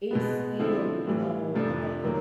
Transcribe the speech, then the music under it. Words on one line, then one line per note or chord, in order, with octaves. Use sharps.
it still, you know, like,
B2 G#3 B3
D3 F3 A3 C4 E4
A2 E3 G3
F2 C3 F3 A3 D4
C3 D#3 F#3 A#3